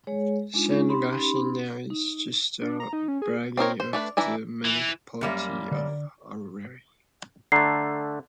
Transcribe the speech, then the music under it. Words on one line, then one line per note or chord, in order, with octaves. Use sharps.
San Agustin now is just a barangay of the Municipality of Aroroy.
G#3 G#4 C#5
G#3 D4 D#4 F4
C#4 D#4 G4 B5 C6
D#4
D4
A#5
D#4
C#4
G#4
C4 D#4 A#4 C#5
C5
A3 D4 B4
E3 D4 E4 A#5
E3
F#2 G3 A#3
D3 D5
D3 A3 A#5 C7